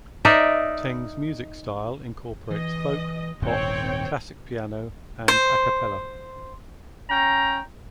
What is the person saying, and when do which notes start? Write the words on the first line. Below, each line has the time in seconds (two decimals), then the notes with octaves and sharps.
Teng's musical style incorporates folk, pop, classical piano, and "a cappella".
0.25 D#4 A#4 D5 E5
2.50 E3 D#5
3.42 D#1 G#2 C4 C#5 G5
5.28 C5
7.10 C#4 G5 A#5